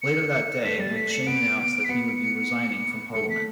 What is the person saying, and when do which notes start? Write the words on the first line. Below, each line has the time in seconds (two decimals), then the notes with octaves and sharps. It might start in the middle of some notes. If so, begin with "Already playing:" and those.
Later that day, MacShane announced that he would be resigning from Parliament.
0.02 C#7
0.64 A3 B6
0.78 G3 A6
0.91 A3
0.96 B6
1.12 C#7
1.27 B3 D7
1.84 B6
1.89 B3 C#7
3.14 A3 C#7
3.30 B6